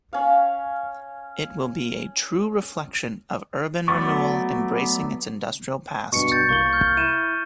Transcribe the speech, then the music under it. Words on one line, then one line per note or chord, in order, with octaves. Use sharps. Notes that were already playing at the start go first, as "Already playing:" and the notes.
It will be a true reflection of urban renewal embracing its industrial past.
C#4 F5
F#3 A3 B3 D5 C#6
G2 B2 C#6 C#7
G6 A6
C2 A#3 C#6 G7
F6 G6
E4 D#7 E7